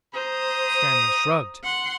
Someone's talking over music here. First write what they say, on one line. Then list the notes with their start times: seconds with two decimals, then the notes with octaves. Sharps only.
Stanley shrugged.
0.14 C5 A#5 D#6
1.63 F#5 C6